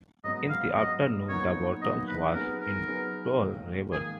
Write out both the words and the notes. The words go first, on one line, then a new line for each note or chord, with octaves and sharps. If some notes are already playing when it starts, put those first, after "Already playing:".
In the afternoon the Bottoms was intolerable.
G#2 F#3 B3 D#5
F5
G#2 F#3 B3 D#5
A#2 F#3 B3 D#4 C#5
A#2 F#3 B3 D#4 D#5
B4
F#3 B3 D#4 G#4 A#4 B4
A#4
F#3 B3 D#4 G#4 B4
G#2 D#3 A#3
G#2 D#3 A#3 G#4